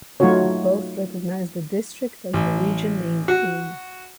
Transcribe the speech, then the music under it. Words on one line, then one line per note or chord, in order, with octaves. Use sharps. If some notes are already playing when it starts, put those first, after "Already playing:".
Both recognize the district as the region named Ayn.
F#3 A3 D#4 F4 F#4 C#5
A1
F#4